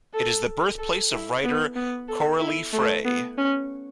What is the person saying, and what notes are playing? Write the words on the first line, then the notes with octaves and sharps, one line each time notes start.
It is the birthplace of writer Coralie Frei.
A4
A4
E4
B3
B3
A4
E4
A3
B3
C#4